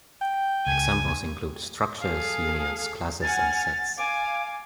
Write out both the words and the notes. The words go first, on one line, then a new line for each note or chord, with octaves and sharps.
Examples include structures, unions, classes, and sets.
G5
C#2 G#5
G#4 A4 F5
F#5 G#5 F6 A6
F5 G#5 D6